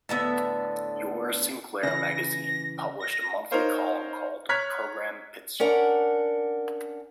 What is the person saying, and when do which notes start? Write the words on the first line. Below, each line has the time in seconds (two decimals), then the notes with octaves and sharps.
"Your Sinclair" magazine published a monthly column called "Program Pitstop".
0.09 A2 D3 B3 E5
1.83 C#3 E3 A#6
3.00 A#6
3.51 D#4 A#4 C5 C#5 F5
4.49 C#5 A#5 F6 F#6 G#6 B6
5.60 C#4 D4 A#4 F#5